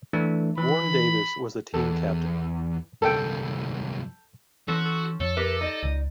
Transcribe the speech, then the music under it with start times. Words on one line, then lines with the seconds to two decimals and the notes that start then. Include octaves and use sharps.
Warren Davis was the team captain.
0.13 E3 A3 D4
0.57 E3 B5
1.74 E2 A4
3.02 C2 F#2 A4 G5
4.68 E3 C4 C#4 F#4 A4
4.85 A4
5.20 F2 A4 C#5
5.37 G4 A#4 B4 E5
5.61 D#4 D5 D#5
5.83 C#2